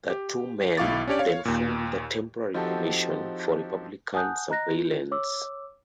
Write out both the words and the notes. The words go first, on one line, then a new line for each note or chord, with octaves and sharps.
The two men then formed the Temporary Commission for Republican Surveillance.
G4
B1 E4 F5 C#6 D6 A6
C#4 D4 G4 C#5 D5
C#5 F5
D#2 A#2
F3 C4 D#4 F#4 G4 A4
F#5 G#5 A5 D#6 F#6 G6
D#5 A#5 F#6 A#6
E4 F4
C#5 D6 E6